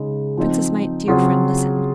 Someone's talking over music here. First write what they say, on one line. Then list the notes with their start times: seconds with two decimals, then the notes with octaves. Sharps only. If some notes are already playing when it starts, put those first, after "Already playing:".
Princess, my dear friend, listen!
Already playing: C#3 G#3 D#4 G#4
0.37 F3 C4 D#4
1.08 C#3 F#3 C4 F4 G#4